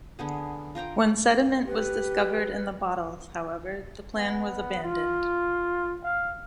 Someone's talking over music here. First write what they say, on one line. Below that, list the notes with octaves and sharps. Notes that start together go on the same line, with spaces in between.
When sediment was discovered in the bottles, however, the plan was abandoned.
D3 B3 G#4
F4 A#4 G5 A#5
G4 B4
B3
F4
F5